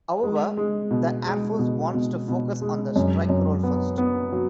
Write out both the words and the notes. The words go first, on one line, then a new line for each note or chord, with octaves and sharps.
However, the Air Force wants to focus on the strike role first.
G#3
G#3
B2
G#3
B2
B2
B2
G#3
F#2
F#2
B3
B3
F#3